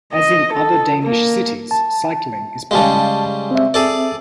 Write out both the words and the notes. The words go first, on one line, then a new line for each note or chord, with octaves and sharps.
As in other Danish cities, cycling is popular.
D#5
A4
A#3
A5
C#3 G3 G#3 F5 A5
C4 E5
G#4 A4 D5